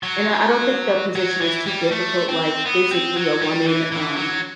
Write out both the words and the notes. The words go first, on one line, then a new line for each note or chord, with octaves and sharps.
and, uh, I don't think the position is too difficult, like, physically a woman, um,
F#3
F#3
E3
G3
A3
C4
B3
C4
F#3
G3
E3
E3
F#3